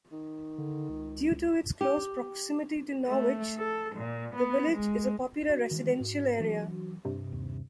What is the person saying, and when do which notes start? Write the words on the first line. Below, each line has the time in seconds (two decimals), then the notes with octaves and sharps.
Due to its close proximity to Norwich, the village is a popular residential area.
0.12 D#3
0.58 D3
0.89 C#2
1.81 G4
3.07 A3
3.58 A4
3.96 A#2
4.36 B3
4.72 G#3
5.49 F#4
5.71 D#3 E3 G#3
6.00 G#2
6.40 E3 F#3 D4
7.05 G2 C3
7.32 D#2